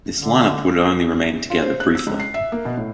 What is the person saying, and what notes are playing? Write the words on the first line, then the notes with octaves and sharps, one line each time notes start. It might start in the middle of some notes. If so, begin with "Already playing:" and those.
This line-up would only remain together briefly.
D3
F4
C5
F#6
E6
C#2
C7
E5
A#3
B2
A2